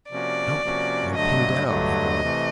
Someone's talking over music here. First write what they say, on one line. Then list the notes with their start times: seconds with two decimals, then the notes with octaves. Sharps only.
"Help, I'm pinned down," he groaned.
0.11 C3 F3 A#3 C#4 F#4 D5
0.64 C3 F3 A#3 C#4 F#4
1.15 G2 D3 F#3 A3 D#5
1.68 G2 D3 F#3 A3 D#5
2.22 C3 E3 A3